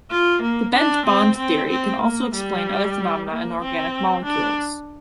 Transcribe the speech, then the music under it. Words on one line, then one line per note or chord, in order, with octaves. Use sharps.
The bent bond theory can also explain other phenomena in organic molecules.
F4
A#3
D4
C4
C4
C4
A#3
G3
A#3
C4
D4